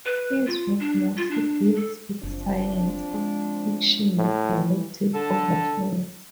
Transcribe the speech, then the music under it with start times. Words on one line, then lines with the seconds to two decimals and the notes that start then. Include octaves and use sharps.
His work mostly deals with science fiction with erotic overtones.
0.06 B4
0.47 F4
0.80 D4
1.17 F4
1.31 D4
1.75 A4
2.23 F#1 F3 C4 D4
3.14 G#3
4.17 A2
4.53 E3 F3
5.14 D3 A4